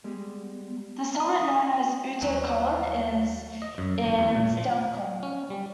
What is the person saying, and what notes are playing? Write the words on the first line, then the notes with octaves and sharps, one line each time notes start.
The summit, known as Uto Kulm, is in Stallikon.
G3 G#3 B3
D#6
D#2 B2 F#3 G3
D#5
F#2
G#1
E2
A#2
F3
C#4
G3